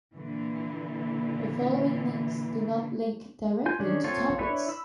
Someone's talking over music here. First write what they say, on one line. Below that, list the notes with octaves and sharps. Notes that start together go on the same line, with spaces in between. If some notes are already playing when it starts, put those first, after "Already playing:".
The following links do not link directly to topics.
A#2 D3 E3
F4 G#5 G6
D#3 C#4 D4
C4 F4 A4 C#5
D4 E4 B4 C#5
B5 E6